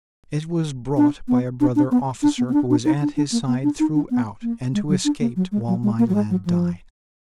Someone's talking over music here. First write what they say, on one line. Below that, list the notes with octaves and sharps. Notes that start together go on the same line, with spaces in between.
It was brought by a brother officer who was at his side throughout, and who escaped while my lad died.
D4
B3
D4
D4
B3
D4
B3
B3
D4
D4
D#4
D4
D4
A#3
B3
D4
D#4
D4
B3
A#3
G#3
F#3
D4
A#3
F#3
G#3
F#3
G#3
A#3
F#3
G#3
F#3
F3